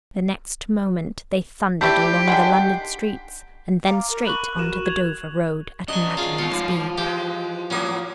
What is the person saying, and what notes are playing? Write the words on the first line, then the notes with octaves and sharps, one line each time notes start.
The next moment they thundered along the London streets, and then straight on to the Dover road at maddening speed.
A3 E4 G4 D5 G6 B6 C7
D3 D#3 G#3 F#5 G5
F5 A#5 D6
A#4
B5 C#6 F#6 F#7
A1 F#4 A#4 F#6 E7
G#6 F7
F#2 F#3 D4 D#5 G#5
F4 G#4
A#2 G#3 F4 C#5
G2 F3
E3 G#3 G4
G#2 F#3 A#3 C#4 D#6